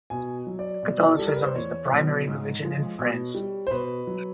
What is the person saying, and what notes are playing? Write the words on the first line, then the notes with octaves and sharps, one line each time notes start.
Catholicism is the primary religion in France.
B2 G#5
F#3
D5
B2
G3 A4
A#4
B4
C5
E2 C#5
B2 F#3
G#2
F3 G#3
B2
G3
C5
B2 B4
F#3